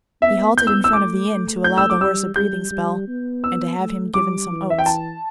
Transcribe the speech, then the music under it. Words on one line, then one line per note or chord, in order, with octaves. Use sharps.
He halted in front of the inn, to allow the horse a breathing spell, and to have him given some oats.
B3 E5
G6
E6
E6
A3 D6
A3
G6
E6
D6
G3 E6
G3 G6
G3
B3
E6
A3
G3 D6
E3
E5
G5
A5